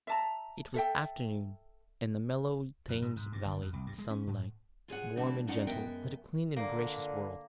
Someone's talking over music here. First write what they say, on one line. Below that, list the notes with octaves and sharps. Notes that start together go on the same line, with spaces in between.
It was afternoon, and the mellow Thames Valley sunlight, warm and gentle, lit a clean and gracious world.
E5 A5 A#5
A4 E5 G5
F2
G#2
G#2
G2
G1
F2
C2
G2
G#3
C#4
G#2
F4 G#4 C#5 F#5
D3 E3 G3 A3 C4
C#4 D#4 F4 D5 F#5 G5
F#2 G#3 B3 A#4 E5 G5
A#2 D3 A#3